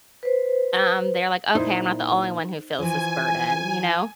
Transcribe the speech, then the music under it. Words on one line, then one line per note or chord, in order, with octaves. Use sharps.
um, they're like, "Okay. I'm not the only one who feels this burden," you know?
B4 C5
A#2 D#4 E4 C5
E3 F3 G#5